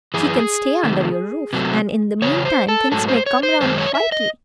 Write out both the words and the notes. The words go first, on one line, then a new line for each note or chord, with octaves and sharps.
She can stay under your roof, and in the mean time things may come round quietly.
F#2 C#3 E3 G#4
C3 D#3 A3
C3 F#3 A3
E2 C#3 F#3 C#5
C5
A4
G#2 F#3 A3 A4
C5
C#5
C5
F#2 D#3 G#3 C5
C#5
E5
D#5